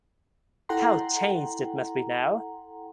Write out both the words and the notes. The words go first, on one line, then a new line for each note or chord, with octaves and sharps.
How changed it must be now!
E4 A4 F#5 G5 A#5 C6